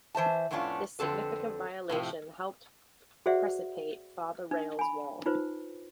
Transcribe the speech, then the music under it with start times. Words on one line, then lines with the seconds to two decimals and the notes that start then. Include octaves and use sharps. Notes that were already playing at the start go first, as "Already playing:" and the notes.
This significant violation helped precipate Father Rale's War.
0.15 E3 C5 E5 A5
0.51 F2 A2 B3 C#4 D4 F4
0.99 F2 D3 C4 A4 B4
1.89 A2 C3 F3
3.26 F#4 G#4 C5 D5 E5 F#5
4.51 D4
4.79 G#5 B5
5.26 D#4 F4 B4 C5